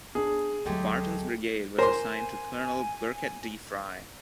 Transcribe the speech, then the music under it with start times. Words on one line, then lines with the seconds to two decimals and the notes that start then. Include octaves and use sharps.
Barton's brigade was assigned to Colonel Birkett D. Fry.
0.15 B3 D4 G#4
0.65 D2 F#3 G#3 A3 G4
1.79 A#4 C5 G#5 C6